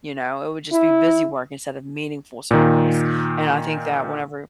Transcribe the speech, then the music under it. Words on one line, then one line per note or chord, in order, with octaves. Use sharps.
you know? It would just be busy work instead of meaningful service, and I think that whenever
E4
A#2 D#3